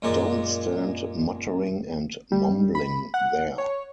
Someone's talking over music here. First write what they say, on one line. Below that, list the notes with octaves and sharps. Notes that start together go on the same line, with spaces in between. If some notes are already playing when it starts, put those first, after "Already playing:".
Don’t stand muttering and mumbling there.
F#2 A#2 G#3 A#4 D5
G3
B5
F#5
C#5